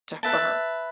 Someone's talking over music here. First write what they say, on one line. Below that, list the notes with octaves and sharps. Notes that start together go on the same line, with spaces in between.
to for her.
B4 E5 A5